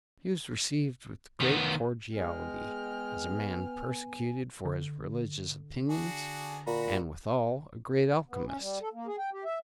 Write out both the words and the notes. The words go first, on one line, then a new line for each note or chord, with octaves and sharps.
He was received with great cordiality, as a man persecuted for his religious opinions, and withal a great alchymist.
D#3 B3
G#3 B3 G5 G#5 F6
D3
D4 F#4 G#4
A#2 F#4 A#5 B5
B3
C#4
G3
A4
A#3
G#4
G5
G4
E5